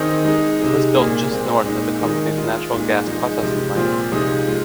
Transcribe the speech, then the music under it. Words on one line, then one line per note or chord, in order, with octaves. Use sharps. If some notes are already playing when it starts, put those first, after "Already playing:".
It was built just north of the company's natural gas processing plant.
Already playing: D#3 C4 D#4 G#4
G#3 D#4 G#4
C3 G#3 D#4 G#4
A#2 A#3 G#4
A#2 G#3 C4
A#2 G#3 D#4
D#3 G#3 D#4 G#4
G#3 F4 G#4
A#2 G#3 D#4
F3 G#3 D#4 G#4
C3 F3 G#3
A#2 F3 C4 F4
C3 F3 G#3 D#4 G#4
G#3 F4